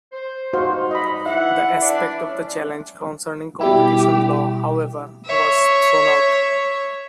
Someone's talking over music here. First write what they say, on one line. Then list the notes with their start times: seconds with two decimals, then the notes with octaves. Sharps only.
The aspect of the challenge concerning competition law however, was thrown out.
0.12 C5
0.53 G2 D#4 F#4 C5 F5
0.91 D#5 B5
1.26 E3 E4 E5 F#5
1.82 D4
2.26 C#4 D4
3.61 B2 G3 E4 G4
5.25 C#5 E5